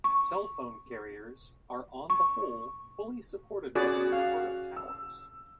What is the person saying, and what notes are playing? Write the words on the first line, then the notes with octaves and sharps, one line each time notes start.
Cell phones carriers are on the whole fully supported with a number of towers.
C#6
C#6
C#4 F#4 G#4 D5
F5
E6